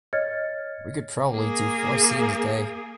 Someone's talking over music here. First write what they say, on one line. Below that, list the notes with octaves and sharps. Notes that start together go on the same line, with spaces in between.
We could probably do four scenes a day.
C#5 D#5 F6 G#6 A6 C#7
A#3 G#4